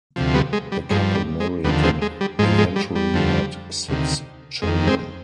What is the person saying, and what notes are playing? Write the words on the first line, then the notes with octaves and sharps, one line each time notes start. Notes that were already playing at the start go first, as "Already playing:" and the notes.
The couple married and eventually had six children.
D2 C3 F3
G3 B3
G#3
G3
G2 F3 G#3
G3
G#3
D#2 D3 F3 G3 B3
G#3 C4
G#3
G3
G#2 F3 G#3
G#3
G3
G3
F2 D3 F3
D2 C3 D#3
F2 D#3 G#3
G#3 C4